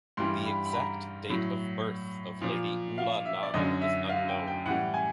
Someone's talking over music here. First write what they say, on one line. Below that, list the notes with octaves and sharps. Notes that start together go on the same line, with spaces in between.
The exact date of birth of Lady Ula Nara is unknown.
G2 E3 G3 C6
B5
B5
A#5
A2 F#3
A#2 F3
F5
E5
D5
F#2 D3 F#3 D#5
E5
F5
G5
G5
A2 E3 G3 F#5
G#5